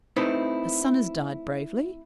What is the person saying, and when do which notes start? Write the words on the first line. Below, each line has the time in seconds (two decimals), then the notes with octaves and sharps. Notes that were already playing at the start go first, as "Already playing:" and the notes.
Her son has died bravely.
0.16 A3 C4 D#4 E4 B4